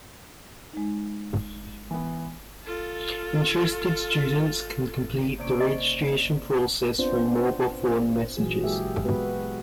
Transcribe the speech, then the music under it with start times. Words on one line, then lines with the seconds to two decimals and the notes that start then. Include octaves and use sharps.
Interested students can complete the registration process through mobile phone messages.
0.73 G#3 D#4
1.91 E3 B3
2.63 F4 A4
5.38 C3 A#3 C#4 D5 D7
5.60 D#5
6.98 B3 C4 D4 F4 C5
8.37 A#2 E3 F#3 G#4
8.64 G#3 A#3 G4 G#4 E5
9.05 G#3 B3 F#4 B4